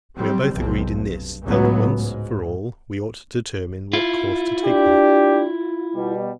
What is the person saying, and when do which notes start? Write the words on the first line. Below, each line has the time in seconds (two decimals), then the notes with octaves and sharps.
We are both agreed in this, that, once for all, we ought to determine what course to take with him.
0.17 F#3 G3 C4
0.55 F1 B1 C3 C4
0.87 G2
1.44 C#2 A2 F#3 B3
1.94 G#2
3.93 E4 F4
4.65 D4 G4
5.95 B2 G3